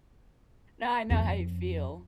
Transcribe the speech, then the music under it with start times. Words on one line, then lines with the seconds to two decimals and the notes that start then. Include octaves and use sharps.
No, I know how you feel.
1.10 F2 C#4